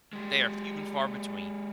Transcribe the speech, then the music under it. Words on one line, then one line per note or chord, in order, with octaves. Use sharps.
they are few and far between.
G#3 G4